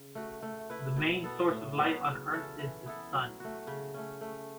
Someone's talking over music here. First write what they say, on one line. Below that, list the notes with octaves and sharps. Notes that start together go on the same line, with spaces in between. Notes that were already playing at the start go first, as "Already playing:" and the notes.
The main source of light on Earth is the Sun.
Already playing: C#3
A3 F#4
A3
E4 B4
B2
B3 A4
A2
F#3 B3 F#4
C#3
E3 C#4 A4
E3
B3 E4 A4
F#3
A3 F#4
C#3
A3 C#4
A3